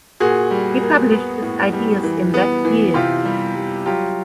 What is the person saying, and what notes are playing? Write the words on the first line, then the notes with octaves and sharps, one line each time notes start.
He published his ideas in that year.
A#2 F#4 G#4
G3
A#3
B3
A2
G3
E3
B3
E3
C3 F4 G4
G3
G3
F#3 F4 G4